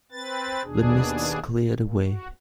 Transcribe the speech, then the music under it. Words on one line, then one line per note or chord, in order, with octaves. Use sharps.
The mists cleared away.
C4 B4 A6
D#2 B2 D4 G#4
A#2
F#4